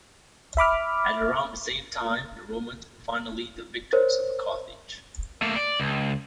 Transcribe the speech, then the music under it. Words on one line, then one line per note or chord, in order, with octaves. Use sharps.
At around the same time, the Romans were finally the victors over Carthage.
E5 B5 D6 F6
A#4 C5 C#5
A3 A#3
D5
C#2